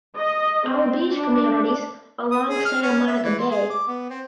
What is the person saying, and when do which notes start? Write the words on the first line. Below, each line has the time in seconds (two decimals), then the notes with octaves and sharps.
All beach communities along Santa Monica bay.
0.18 D#5
0.68 C4
1.14 D4
2.31 D#6
2.49 G#4
2.65 F6
2.82 C#4
3.07 E5
3.23 E3
3.39 C6
3.51 G#4
3.70 D6
3.87 B3
4.10 C4